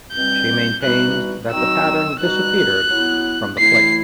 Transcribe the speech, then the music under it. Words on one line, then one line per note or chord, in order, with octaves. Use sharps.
She maintains that the pattern disappeared from the plate.
B2 G3 C4 G6
E3 G3 D#4 F#4 F#6
D#3 F#3 C4 D#4 F#4 E6
B2 G3 D#4 F#4 F#6
F#3 B3 E4
A2 E3 A3 E4 C7